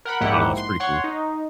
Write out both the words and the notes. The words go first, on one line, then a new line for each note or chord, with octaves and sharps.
I don't know, it's pretty cool.
A#4 F#5 B5
A#1 G#2 A#3 E4 G4 F#5
C6
C#5 F#5 C6
D#4